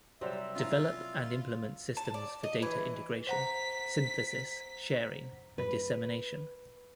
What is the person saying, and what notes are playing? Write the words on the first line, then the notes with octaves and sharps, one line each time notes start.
Develop and implement systems for data integration, synthesis, sharing, and dissemination.
C3 F#3 G3 C5 E5 E6
C#4 E4 F4 A#5
A5
D5
D#5
E3
C5 F#5 A#5 B6
B4